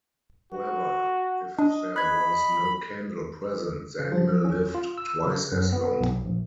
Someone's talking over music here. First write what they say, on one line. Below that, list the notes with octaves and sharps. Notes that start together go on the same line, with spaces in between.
However, if there was no candle present the animal lived twice as long.
F#4
D4 D#5
D#5 B5 F#6 G#6
C#3
F3
C#4
F4
E6
C#3
F#2
B3
B1
A#1